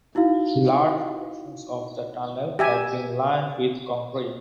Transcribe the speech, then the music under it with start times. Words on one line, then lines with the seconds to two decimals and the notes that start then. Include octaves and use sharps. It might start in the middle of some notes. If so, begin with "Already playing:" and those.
Large portions of the tunnel have been lined with concrete.
0.15 D#4 E4 F#4 F5
2.59 G4 E5 G#5